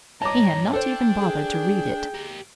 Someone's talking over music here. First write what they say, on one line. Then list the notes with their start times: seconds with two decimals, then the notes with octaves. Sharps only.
He had not even bothered to read it.
0.22 G2 D#4 C#5 A5 A#5 D6
0.73 D4 A4 C5 G5
1.19 G#4
2.15 G4 A#4